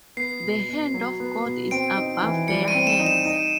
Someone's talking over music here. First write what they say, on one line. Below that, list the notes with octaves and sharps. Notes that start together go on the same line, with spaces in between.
The Hand of God is above their hands.
B3 C7
B2
B2
F#3
B3
B2
C4 D7
D#4
E3
G3 C#7
D#7
C4
E7
D#4
E7
D#4